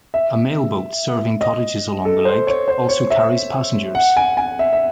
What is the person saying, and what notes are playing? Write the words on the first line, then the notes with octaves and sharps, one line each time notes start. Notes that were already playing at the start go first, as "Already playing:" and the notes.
A mailboat serving cottages along the lake also carries passengers.
E5
D#5
A4
C5
C#5
C5
C#5
E5
F#5
G#5
G#5
E5
E5